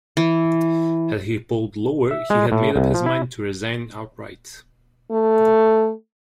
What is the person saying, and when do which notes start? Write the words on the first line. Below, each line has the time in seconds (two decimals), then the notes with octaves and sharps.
Had he polled lower, he had made up his mind to resign outright.
0.17 E3
2.11 E5
2.30 G#3
2.52 A2
2.76 C2
2.94 F3
3.06 E4
5.11 A3